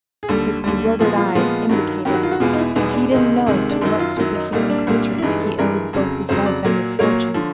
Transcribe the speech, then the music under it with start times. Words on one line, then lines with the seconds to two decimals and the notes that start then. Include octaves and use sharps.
His bewildered eyes indicated that he didn't know to what superhuman creatures he owed both his life and his fortune.
0.23 G#4
0.28 D#2 D3 G3 A4
0.64 D#2 D3 G3
0.99 A#2 F3 G#3 B3 G#4
1.17 F4
1.35 A#2 F3 G#3 B3 F4
1.69 G2 D#3 F#3
2.05 G2 D#3 F#3 G4
2.14 F#4
2.23 F4
2.32 F#4
2.40 E2 B2 G#3 B3 F4
2.53 D#4
2.58 E4
2.75 E2 B2 G#3 B3 D#4
2.94 D4
3.11 C#2 C3 D#3 G#3 D#4
3.46 C#2 C3 D#3 G#3
3.71 D4
3.81 F#2 D#3 F#3 D#4
3.99 F4
4.16 F#2 D#3 F#3 E4
4.35 D#4
4.52 C2 A#2 G3 A#3 D#4
4.70 D4
4.87 C2 A#2 G3 A#3
5.18 E4
5.22 G2 E3 G#3 D#4
5.41 A4
5.58 G2 E3 G#3 A#4
5.93 F2 C#3 F#3
6.29 F2 C#3 F#3 C5
6.46 D5
6.65 A#2 F#3 A#3
6.99 A#2 F#3 A#3 C#5
7.34 D3 F3